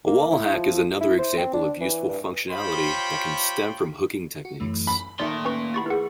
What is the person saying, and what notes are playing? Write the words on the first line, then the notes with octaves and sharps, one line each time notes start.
A wallhack is another example of useful functionality that can stem from hooking techniques.
A#3
E4
F3
E4
C5
C4
D4
E3
G2
F4 G4 C5 C#5 G5 B5
F#4
F#2 E3 A3
B5
D#3 A3 A#3 D5 D#5 C6
C#4 B4 G5 C#6
E4 G4 F#5 B5 C#6 A6
E4 G#4 A#4 B4 F#5